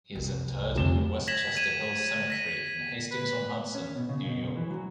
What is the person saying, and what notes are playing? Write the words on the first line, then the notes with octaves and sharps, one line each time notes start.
He is interred in Westchester Hills Cemetery in Hastings-on-Hudson, New York.
C2
F1 E7 G7
G#6 A#6 B6 E7 F#7
G#6 D#7 E7
A#6 B6 D#7
B4
C#4
B2
C#3
B2
C#2
E3
F#3